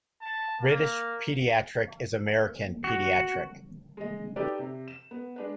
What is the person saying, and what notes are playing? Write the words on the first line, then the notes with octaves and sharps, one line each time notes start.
British paediatric is American pediatric.
A5
A#3
F#4
G#3 D#5
D#4 G4 A4 B4 D5
C3
E7
B3
G#3 D4 B4